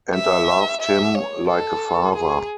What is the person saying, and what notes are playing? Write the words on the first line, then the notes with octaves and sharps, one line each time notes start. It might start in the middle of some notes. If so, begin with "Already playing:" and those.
And I loved him like a father.
E5
E5
C#5
A4
G#4